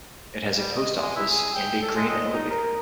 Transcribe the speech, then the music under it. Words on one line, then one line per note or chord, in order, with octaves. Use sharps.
It has a post office and a grain elevator.
G3
D#5
G#3
E4
G#4
G5
A4
G#3
D#5
D#4
A#4